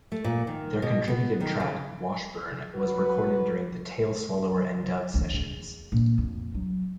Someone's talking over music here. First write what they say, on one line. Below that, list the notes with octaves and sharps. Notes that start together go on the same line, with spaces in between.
Their contributed track "Washburn" was recorded during the "Tail Swallower and Dove" sessions.
A3
A#2
D#3
B2
B3
D#3
C#3
F#3 F#4 B4
D2 E3
E2
A#2
F2
F#3